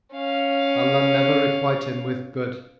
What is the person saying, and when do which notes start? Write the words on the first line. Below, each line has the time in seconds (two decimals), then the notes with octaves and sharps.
Allah never requite him with good!
0.13 C#4 F5